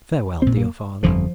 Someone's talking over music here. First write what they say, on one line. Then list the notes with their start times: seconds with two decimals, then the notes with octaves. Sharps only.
Farewell, dear father!
0.42 A#1 A#2 C4
0.57 A#3
1.03 G1 F2 D3 F3